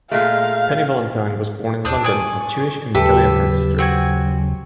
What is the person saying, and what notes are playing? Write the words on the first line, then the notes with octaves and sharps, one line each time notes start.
Penny Valentine was born in London, of Jewish and Italian ancestry.
A#2 G#3 A3 F5
D#2 C4 D4 D#6
D5 G#5 C#6 D#6
D#2 C#3 F#3 G4 A4 B4 E5
C4 F#4 G#5